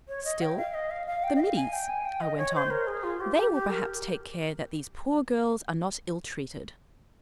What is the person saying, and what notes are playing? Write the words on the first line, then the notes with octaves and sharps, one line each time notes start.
'Still--the middies,' I went on: 'they will perhaps take care that these poor girls are not ill-treated.'
C#5
D#5
G5
F5
D#5
F5
F5
G5
D#5
F5
G#5
G5
G#5
G5
D#5
C#5
C5
A#4
G#4
F4
G4
G4
G4
A#4